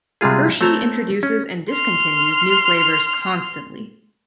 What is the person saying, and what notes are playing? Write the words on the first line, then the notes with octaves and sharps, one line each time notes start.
Hershey introduces and discontinues new flavors constantly.
C3 G3 G#3 F4 G#4
A3 C4 C#5 A5 A#5
C#4
C6 F6